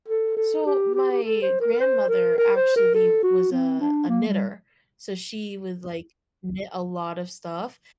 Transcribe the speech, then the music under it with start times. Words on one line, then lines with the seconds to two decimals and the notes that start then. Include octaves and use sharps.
So, my grandmother actually was a a knitter, so she would, like, knit a lot of stuff,
0.08 A4
0.37 A4
0.66 G4
0.94 G4
1.12 G4
1.24 A4
1.42 C5
1.61 A#4
1.73 A#4
1.80 C5
2.09 A#4
2.38 A#4
2.57 C5
2.76 A#4
2.95 A4
3.24 F#4
3.52 C4
3.81 D4
4.09 A#3
4.28 G3